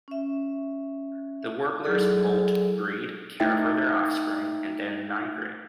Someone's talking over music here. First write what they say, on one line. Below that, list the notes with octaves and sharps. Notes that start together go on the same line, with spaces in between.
The warblers molt, breed, care for their offspring, and then migrate.
C#4 E5
F#3 E4 G#4 A4 D5
A3 D#4 E4 E5 G5 A6